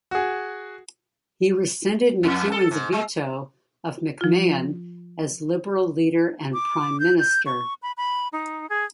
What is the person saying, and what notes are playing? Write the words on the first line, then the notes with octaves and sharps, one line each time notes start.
He rescinded McEwen's veto of McMahon as liberal leader and Prime Minister.
F#4 G#4
F2
A4
G#2
G#3
F3 F4
D6
G6
G6
C#6
B5
B5
D#4
G#4